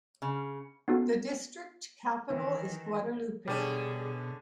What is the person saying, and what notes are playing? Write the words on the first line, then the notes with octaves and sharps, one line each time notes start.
The district capital is Guadalupe.
C#3
B3 C#4 D#4 F4 F#4 A4
D#3 E3
B2 D3 G3 C#4 G#4